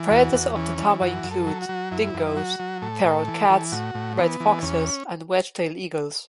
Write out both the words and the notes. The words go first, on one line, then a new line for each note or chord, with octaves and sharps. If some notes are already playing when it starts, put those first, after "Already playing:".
Predators of the tammar include dingos, feral cats, red foxes and wedge-tailed eagles.
Already playing: E3
E2 F#4
E2
E3 C#4
E3
F#2 F#4
F#2
A4
F#3
F#4
F#3
F#2 E4
F#2
E4
F#3 F#4
F#3
A2 A4
A2
E3
E3
A2 F#4
A2
E3 B3
E3
E2 C#4